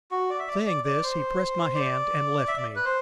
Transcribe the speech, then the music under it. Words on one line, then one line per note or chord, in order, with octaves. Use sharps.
Saying this, he pressed my hand and left me.
F#4
D5
E5
D5
D5
D5
C5
D5
E5
D5
B4
C5